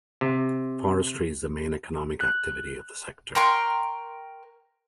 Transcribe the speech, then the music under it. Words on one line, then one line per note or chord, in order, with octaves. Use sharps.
Forestry is the main economic activity of the sector.
C3
F#6
A#4 G5 C6 C#6